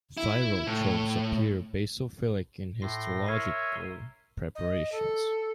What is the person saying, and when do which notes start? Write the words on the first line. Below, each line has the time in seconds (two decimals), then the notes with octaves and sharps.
Thyrotropes appear basophilic in histological preparations.
0.17 E4
0.67 A2
2.82 A2 C6 A#6
3.28 A#4 C#5 E5 G#5 C6
4.55 D#5
4.92 A4